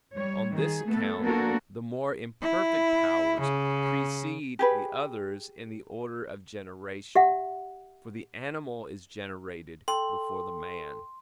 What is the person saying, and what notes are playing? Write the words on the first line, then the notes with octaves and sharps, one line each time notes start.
On this account, the more imperfect powers precede the others in the order of generation, for the animal is generated before the man.
G3 C#5
D#3 G#4
A3 B3 A4
A#3 B3 D4 F#4 A4 A#4
E4
C#3
G4 G#4 B4
G4 E5 F#5
A4 G5 C6